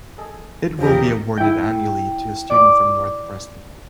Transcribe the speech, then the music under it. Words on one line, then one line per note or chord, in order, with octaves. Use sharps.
It will be awarded annually to a student from North Preston.
G#4 A4 D#5
E2 C#3 E3 F3 G4 A#4 D#5
E4 G5
D5 D6